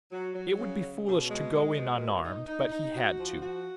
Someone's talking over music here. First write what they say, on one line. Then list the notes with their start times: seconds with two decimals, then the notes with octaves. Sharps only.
It would be foolish to go in unarmed, but he had to.
0.11 F#3
0.35 F#3
0.59 C#3
0.82 C#3
1.06 B2
1.29 G#3
1.53 G#3
1.77 B2
2.00 A#2
2.24 D#4
2.47 D#4
2.72 D#4
2.95 F#4
3.19 F3
3.42 F#4